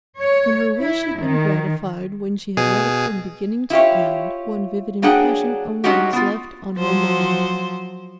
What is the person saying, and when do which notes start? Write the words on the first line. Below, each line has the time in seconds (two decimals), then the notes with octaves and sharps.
When her wish had been gratified, when she had read it from beginning to end, one vivid impression only was left on her mind.
0.18 C#5
0.80 E4
1.20 D#3
2.57 B2 G#4
3.70 E4 F4 G4 C#5
5.02 F#3 A#3 D4 G#4 F#5 G5
5.84 F#3 G#3 C#4 D#4 F#4 G4
6.13 B3 F4
6.78 F3 F#3 C5